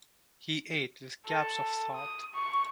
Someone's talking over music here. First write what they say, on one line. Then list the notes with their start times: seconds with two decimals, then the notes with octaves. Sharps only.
He ate with gaps of thought.
1.26 A4
1.95 D#6
2.34 C#6